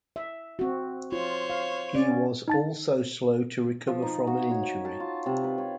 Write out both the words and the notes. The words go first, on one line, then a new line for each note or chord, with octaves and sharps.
He was also slow to recover from an injury.
E5
C4 F#4
F4 C5 C#5
F5
C#4 D5
D#4 A5 A6
F3
D#4
F#4
C#5
C#5
A5
F4
C3
B4
C#5